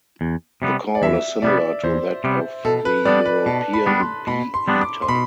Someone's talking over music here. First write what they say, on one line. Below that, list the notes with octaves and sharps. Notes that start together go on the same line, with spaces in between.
The call is similar to that of the European bee-eater.
E2
C3 G3 B3
D5
E2 E5
C3 G3 B3 D5
E2 C5
C3 G3 B3
B2 A4
B4
G3 B3 D4 D5
B4
B2 A5
B5
G3 B3 D4
C6
B2 B5
C6
G3 B3 D4
D6
C6
B2 B5